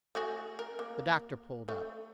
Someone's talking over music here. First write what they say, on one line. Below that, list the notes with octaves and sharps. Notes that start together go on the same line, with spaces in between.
The doctor pulled up.
A3 F#4 G#4
A#4
A#3
A3